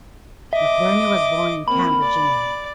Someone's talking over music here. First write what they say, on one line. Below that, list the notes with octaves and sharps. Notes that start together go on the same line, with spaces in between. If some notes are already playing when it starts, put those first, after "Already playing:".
McBurney was born in Cambridge, England.
D#5 E5 D6
A#3 C4 B5
D5